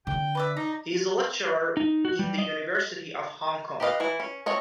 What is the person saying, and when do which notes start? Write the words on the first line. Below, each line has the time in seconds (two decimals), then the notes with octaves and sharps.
He is a lecturer in at the University of Hong Kong.
0.07 D3 G5
0.35 B4 D5 E5
0.57 D#4 A#5
1.77 D#4
2.05 F#4
2.19 G3
2.38 D#5
3.80 G4 B4 D#5 F5
4.00 E3 E4
4.20 C#4
4.46 A3 C4 C#5 D#5